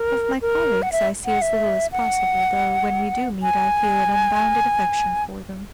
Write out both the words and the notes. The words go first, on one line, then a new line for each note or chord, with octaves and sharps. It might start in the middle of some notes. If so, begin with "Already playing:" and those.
Of my colleagues I see as little as possible, though, when we do meet, I feel an unbounded affection for them.
Already playing: A#4
A#4
F#5
E5
F#5
E5
F#5
G#5